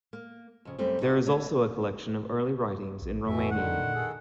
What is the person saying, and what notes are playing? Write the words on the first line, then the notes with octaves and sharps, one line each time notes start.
There is also a collection of early writings in Romanian.
A#3
F2 C#3
F#2 G3 A3 C4
D#4 F#4 F#5
A3 C#5 D#5
A#1
F2 B2 E3 E5
D3 D#3 F#5
A#2
D#3 G#4 A4